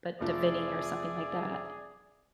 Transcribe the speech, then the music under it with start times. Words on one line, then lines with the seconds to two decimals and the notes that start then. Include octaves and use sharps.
but Dhivehi or something like that.
0.20 F1 F3 G#4 D5 E5